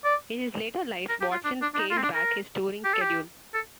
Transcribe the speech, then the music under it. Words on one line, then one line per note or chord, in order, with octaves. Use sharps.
In his later life, Watson scaled back his touring schedule.
D5
A#4
G4
F4
D4
D4
D4
D#4
F4
C4
D4
A#4
G4
A4
G4
A4